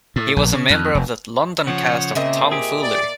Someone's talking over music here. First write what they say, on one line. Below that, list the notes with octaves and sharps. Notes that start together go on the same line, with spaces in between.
He was a member of the London cast of "Tom Foolery".
A2
A#1
C#3
F2
F1
C#3 F3 C5 C#5 F#5
A#2 C#3 C4 D#5 E5
G4 G#4
D5